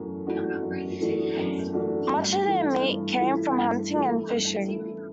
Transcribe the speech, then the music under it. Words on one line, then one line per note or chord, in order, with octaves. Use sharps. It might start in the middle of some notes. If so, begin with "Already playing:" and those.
Much of their meat came from hunting and fishing.
Already playing: F#2 E3 A3 F#4
E3 A3 D4 F#4
F#2
E3 A3 D4 F#4
F#2
E3 A3 D4 F#4
G2
E3 A3 E4
G2
E3 A3 E4
G2
E3 A3 E4
G2
E3 A3 E4